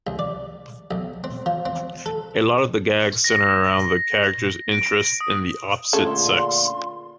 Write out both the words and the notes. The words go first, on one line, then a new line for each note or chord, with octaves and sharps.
A lot of the gags center around the character's interest in the opposite sex.
C2
D5
B1
C4
F3
C4
A4
A#6
D7
D#6
A#2 D3 A3 C#4 F4 G#4 A4 C6